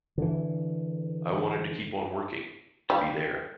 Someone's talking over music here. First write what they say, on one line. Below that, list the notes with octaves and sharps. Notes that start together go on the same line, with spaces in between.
I wanted to keep on working, to be there.
D3 E3
G3 F5